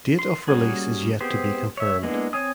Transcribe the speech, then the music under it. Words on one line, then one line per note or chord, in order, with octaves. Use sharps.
Date of release is yet to be confirmed.
C6
G3 A#3 C#4 F#4 G#4
B3 C4 G4 G#4 C5
C#5 E5
G#3 A#3 B3 D4 E4
C4 C#5 G#5 D#6